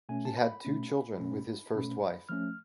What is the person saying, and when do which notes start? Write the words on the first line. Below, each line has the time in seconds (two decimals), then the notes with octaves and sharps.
He had two children with his first wife.
0.09 B2 A3 C#4 G#5
0.25 A5
0.37 B5
0.65 B2 A3 C#4
1.20 B2 A3 C#4
1.74 B2 A3 C#4 B5
2.29 F3 A3 C#4 F6